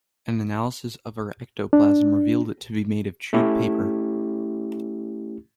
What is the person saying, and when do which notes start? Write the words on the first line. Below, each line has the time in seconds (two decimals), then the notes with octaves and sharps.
An analysis of her ectoplasm revealed it to be made of chewed paper.
1.73 D4
3.33 A3 C#4 E4 G4